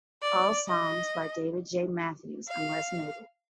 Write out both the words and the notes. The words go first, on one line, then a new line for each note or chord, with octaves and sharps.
All songs by David J. Matthews unless noted.
D5
D#5
F5